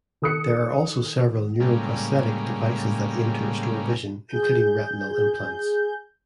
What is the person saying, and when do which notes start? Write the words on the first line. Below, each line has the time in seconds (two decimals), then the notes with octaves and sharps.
There are also several neuroprosthetic devices that aim to restore vision, including retinal implants.
0.22 D#3 A4 D#6 F#6 C#7
1.60 A2 C#3 G3 G#3 A#3
4.29 G#4 G6